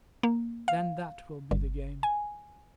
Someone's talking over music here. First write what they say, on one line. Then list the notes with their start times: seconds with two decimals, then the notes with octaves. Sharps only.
Then that will be the game.
0.23 A#3
0.68 F5
1.51 G1
2.03 G#5